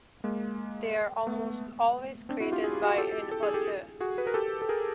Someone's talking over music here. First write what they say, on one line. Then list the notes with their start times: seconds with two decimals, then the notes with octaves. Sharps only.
They are almost always created by an "auteur".
0.24 G#3 A#3
1.27 A3 B3
2.29 C4 D4
2.40 E4 F#4
2.52 F4 G4
2.64 G#4
2.73 G4
2.82 F#4 G#4
2.98 G4 A4
3.31 A4
3.43 G#4
3.54 G4 A4
4.01 F#4 G#4
4.18 B4
4.27 A#4
4.34 G4 A4
4.62 A4
4.69 G#4 A#4